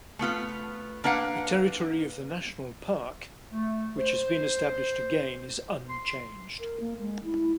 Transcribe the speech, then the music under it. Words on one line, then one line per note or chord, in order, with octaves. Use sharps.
The territory of the national park, which has been established again, is unchanged.
A3 B3 F4 B4
A#3 D4 B4 F5 F#5
A3
C5
C6
A#4
A#3
G#3
E4